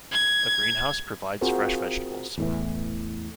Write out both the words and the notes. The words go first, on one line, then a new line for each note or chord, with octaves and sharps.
A greenhouse provides fresh vegetables.
G#6
C4 F4 F#4 G#4 A#4 C5
E2 A2 E3